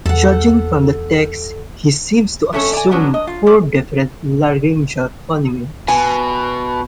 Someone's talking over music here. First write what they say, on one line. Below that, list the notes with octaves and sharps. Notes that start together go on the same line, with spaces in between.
Judging from the text, he seems to assume four different laryngeal phonemes.
E2 A4 F#5
F2 A3 C#4 A4 C#5
D5 G#5
F#3 B3 C#4 D4
D#5
F4
G3 A4 D5
B2 G#5